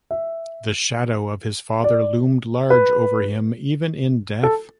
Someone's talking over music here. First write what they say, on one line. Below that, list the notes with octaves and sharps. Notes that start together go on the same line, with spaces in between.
The shadow of his father loomed large over him even in death.
E5
D5
B4
A4